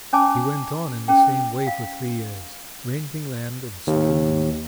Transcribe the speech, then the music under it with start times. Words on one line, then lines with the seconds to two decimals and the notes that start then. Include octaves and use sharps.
He went on in the same way for three years; renting land and sowing wheat.
0.13 C#4 C#5 G#5 A5 D6
1.08 C#4 G#4 G5
1.67 F5
3.87 D#2